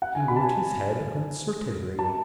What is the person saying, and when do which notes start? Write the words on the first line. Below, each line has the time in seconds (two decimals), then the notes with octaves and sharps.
He moved his head uncertainly.
0.02 F#5
0.15 G#5
0.28 B5
0.36 A5
0.41 G#5
1.99 A5